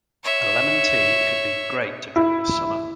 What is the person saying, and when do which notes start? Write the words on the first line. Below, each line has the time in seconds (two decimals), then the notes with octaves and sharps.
A lemon tea could be great to drink this summer.
0.24 C#5 E5
2.16 E4